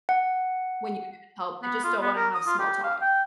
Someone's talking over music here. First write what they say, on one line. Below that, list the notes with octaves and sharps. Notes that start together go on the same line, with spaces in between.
when you need help, they just don't wanna have small talk.
F#5
B3
F4
B3
A#4
D#6
F4
G4
F5
G5